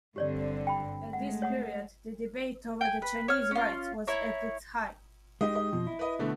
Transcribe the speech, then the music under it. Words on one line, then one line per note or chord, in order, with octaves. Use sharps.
At this period the debate over the Chinese Rites was at its height.
G2 D3 C4 G4 C#5 D5
G5 B5
G#3 A3 F#5
C#5 F#5 D#6
G5 G#5
B4
C#5 F6
C#4 F4
E4 C#5 A#5
G#3 D#4 G4 D#5
D#5
F2 B2 F3
E4
B4 D#5
B2 D3 A3